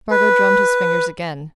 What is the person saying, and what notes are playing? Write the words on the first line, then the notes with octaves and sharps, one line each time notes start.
Spargo drummed his fingers again.
B4